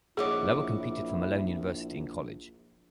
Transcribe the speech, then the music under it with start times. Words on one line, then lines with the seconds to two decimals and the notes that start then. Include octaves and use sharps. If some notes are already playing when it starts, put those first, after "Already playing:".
Lower competed for Malone University in college.
0.17 A#1 E4 F#4 G#4 C#5 D#5 D6